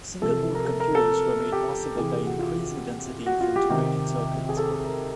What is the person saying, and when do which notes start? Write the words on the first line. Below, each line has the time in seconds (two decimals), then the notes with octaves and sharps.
Single board computers were made possible by increasing density of integrated circuits.
0.21 C3 F3 A4
0.55 A#4
0.65 A4
0.80 A#4
0.95 A4
1.52 G4
1.95 C3 E3 G#4
2.12 G4
2.26 F#4
2.39 F4
3.26 F#4
3.41 F4
3.56 G4
3.70 C3 D#3 G4
4.49 G#4
4.57 A4
4.72 A4
4.86 A#4